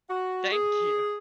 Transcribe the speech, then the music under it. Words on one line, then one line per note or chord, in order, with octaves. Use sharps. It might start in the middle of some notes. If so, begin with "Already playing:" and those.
Thank you.
F#4
G#4